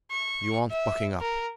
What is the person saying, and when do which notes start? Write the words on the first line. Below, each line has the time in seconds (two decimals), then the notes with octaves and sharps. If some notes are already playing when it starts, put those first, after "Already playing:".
You want bucking up.
0.11 C#6
0.71 E5
1.21 A#4